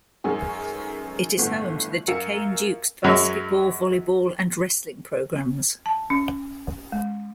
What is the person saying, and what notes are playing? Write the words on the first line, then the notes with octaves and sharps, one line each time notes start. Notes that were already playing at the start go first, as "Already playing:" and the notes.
It is home to the Duquesne Dukes basketball, volleyball and wrestling programs.
F#2 D#3 G#3 C#4 G#4
G1 A2 B3
F#2 A#4 F5 E6 C#7
F#2 F#3 G#3
A5
C#4
G#3